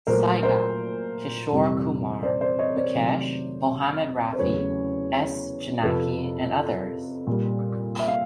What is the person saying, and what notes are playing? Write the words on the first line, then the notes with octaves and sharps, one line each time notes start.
Saigal, Kishore Kumar, Mukesh, Mohammed Rafi, S. Janaki and others.
A#2 F#3 A3 A#4 C5
A#4 C5
F2 C3 E3 G3
C5 D5
C5 D5
C#5 D#5
C5 D5
C3 D#3 F#3 A3
C5
E2 C#3 F#3 A3 B4 C#5
F2 C3 F3 A4 B4
A#2 G3
E5
F5